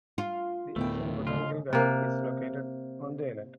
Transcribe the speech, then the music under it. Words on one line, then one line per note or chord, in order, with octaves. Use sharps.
The Aswan Botanical Garden is located on the island.
F4
D2 A2 A3 B3 A#4 G5
D#2 G#2 C#3 F4
C3 A#3